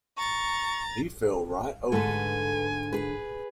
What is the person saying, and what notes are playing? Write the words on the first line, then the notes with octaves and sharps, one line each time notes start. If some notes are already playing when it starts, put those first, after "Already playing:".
He fell right over!
A#5 C#6 A6
G#2 D3 A3 A4 B4 G#5
G#4 B4